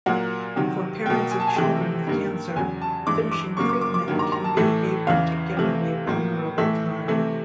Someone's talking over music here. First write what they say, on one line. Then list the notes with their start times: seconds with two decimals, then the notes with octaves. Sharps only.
For parents of children with cancer, finishing treatment can be a particularly vulnerable time.
0.06 A#2 F#3 A#3 F#5
0.56 C3 D#3 F#3
1.06 B2 F#3 A#3 G5
1.31 G#5
1.40 A5
1.47 G#5
1.56 C3 E3 A3 G5
2.07 G2 D#3 G3 A#3
2.56 E2 C#3 F#3 G#5
2.81 A5
3.07 G2 E3 G#3 D6
3.32 D6
3.57 F#2 C#3 F#3 A#3 C#6
3.69 D6
3.81 D6
3.94 D6
4.07 G2 D#3 F#3 A#3
4.19 A#5
4.32 A#5
4.44 A5
4.57 A2 E3 A3
5.07 E2 C#3 E3 F5
5.57 C3 E3 A3
6.07 A2 F#3 A#3
6.58 A2 E3 A3 E5
7.08 C3 E3 A3